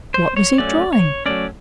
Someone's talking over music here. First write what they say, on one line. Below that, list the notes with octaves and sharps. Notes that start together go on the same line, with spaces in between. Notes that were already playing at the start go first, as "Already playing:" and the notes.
What was he drawing?
C5
C#5
F#3 A3 C#4 D5
C#5
F#3 A3 C#4 D5